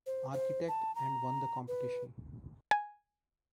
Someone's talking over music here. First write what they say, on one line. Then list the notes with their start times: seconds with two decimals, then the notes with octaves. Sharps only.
Architect, and won the competition.
0.06 C5
0.33 C5
0.68 A5
0.95 A#5
1.68 B4
2.71 G#5